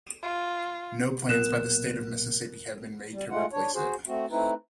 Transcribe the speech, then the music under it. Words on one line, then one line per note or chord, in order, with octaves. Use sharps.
No plans by the State of Mississippi have been made to replace it.
F4
B1 A#2 B3 A#4 F#6 E7
G3
G#3 A3 F4 F#5
D4 C#5
F#4 G#4 C5
A3 C4 F#4
A3 C4 D#4 E4 B4